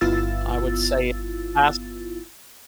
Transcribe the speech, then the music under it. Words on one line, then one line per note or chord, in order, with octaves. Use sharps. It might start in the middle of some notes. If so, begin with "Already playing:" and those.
I would say it has
G1 B3 E4 F4 E6 A6